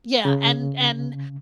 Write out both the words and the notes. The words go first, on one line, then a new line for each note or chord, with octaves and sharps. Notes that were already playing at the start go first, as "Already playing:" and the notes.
Yeah, and and,
C#3